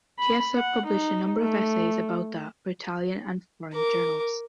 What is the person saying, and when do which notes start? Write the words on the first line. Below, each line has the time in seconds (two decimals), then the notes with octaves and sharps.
Chiesa published a number of essays about that for Italian and foreign journals.
0.19 B5
0.55 F#5
0.86 D#4
1.41 A3
3.73 A#4 D6